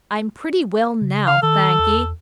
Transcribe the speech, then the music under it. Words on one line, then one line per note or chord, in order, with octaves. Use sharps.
I'm pretty well now, thank ye.
C#3
F5
D#3 A4
E2